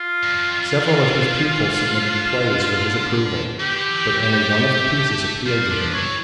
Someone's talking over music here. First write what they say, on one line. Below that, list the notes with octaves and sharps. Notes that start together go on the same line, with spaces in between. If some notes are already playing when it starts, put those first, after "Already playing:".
Several of his pupils submitted plays for his approval, but only one of the pieces appealed to him.
Already playing: F4
G2
F2
E3
E3
F3
E3
D3
D3 G4
E3
G3
A3
G3 F4
F3 D4
E3 C#5